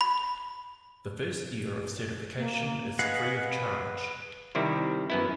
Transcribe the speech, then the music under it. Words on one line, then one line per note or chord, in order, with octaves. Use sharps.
The first year of certification is free of charge.
B5
A#3
G#4 B4 D#5 F5 F#5
C3 D#3 G3 E4
F#2 B3 E4